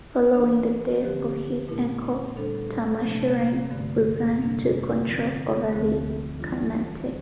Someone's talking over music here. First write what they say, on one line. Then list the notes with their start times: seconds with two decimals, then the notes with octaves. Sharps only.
Following the death of his uncle Tarmashirin, Buzan took control of the khanate.
0.34 E3 A#3 D4
1.01 D3 F3 C4 G4
1.68 A#2 A3 E4 A#4
2.36 A#2 G3 D4 A4 C5
3.03 C3 F3 A3 D4
3.71 G2 D3 A3
4.38 F2 C3 G3 A#3 D4
5.06 D3 F3 C4 F4 A#4
5.73 D2 D3 F3 A3 C4
6.40 E3 G3 D4 F4